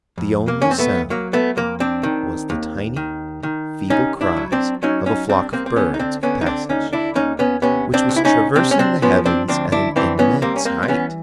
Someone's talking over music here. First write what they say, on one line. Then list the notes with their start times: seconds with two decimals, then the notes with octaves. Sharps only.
The only sound was the tiny, feeble cries of a flock of birds of passage, which was traversing the heavens at an immense height.
0.18 F2
0.48 A#3
0.62 F2 C#4
0.71 C4
0.78 A3 B3
1.10 F#3 A#3
1.33 A3 B3
1.57 F2 A#3
1.80 C4 D4
2.03 D#3
2.50 D#2
2.96 D#3
3.43 D#3
3.90 C2 C#4 D#4
4.21 D4 E4
4.36 F#3
4.52 C4 D4
4.83 F#3 C#4 D#4
5.06 C#4 D#4
5.29 C2 C4 D4
5.53 A#3 C4
5.66 C4
5.76 D3 B3 C#4
5.94 D#4
5.99 C4 D4
6.23 D3 B3 C#4
6.41 D#4
6.46 C4 D4
6.69 D#2 C#4 D#4
6.93 D4 E4
7.15 D#2 C#4 D#4
7.39 B3 C#4
7.62 C3 B3 C#4
7.94 C4 D4
8.09 C#2
8.16 E4
8.25 C#4 D#4
8.55 C3 C4 D4
8.71 C#4
8.79 C4 D4
9.02 F3 B3 C#4
9.26 C4 D4
9.48 D2 C4 D4
9.72 D4 E4
9.96 E3 C4 D4
10.19 B3 C#4
10.42 G3 A#3 C4
10.56 C#4
10.65 A#3 C4
10.83 C4
10.88 E3 B3 C#4